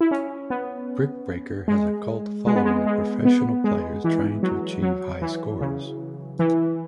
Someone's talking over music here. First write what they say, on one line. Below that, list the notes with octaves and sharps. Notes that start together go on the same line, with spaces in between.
"Brick Breaker" has a cult following of professional players trying to achieve high scores.
E4
C#4
B3
G#3
G#3
B3
G#3
G#3
B3
G#3
E3
F#3
F#3
E3
C#3
E3